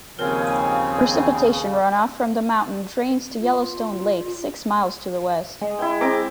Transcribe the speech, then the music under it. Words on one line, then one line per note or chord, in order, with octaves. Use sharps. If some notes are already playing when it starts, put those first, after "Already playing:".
Precipitation runoff from the mountain drains to Yellowstone Lake six miles to the west.
D#2 C#3 F3 C4 C#4 A#4 G#5
F4
G#3
E4 G5
C4 A#5 D6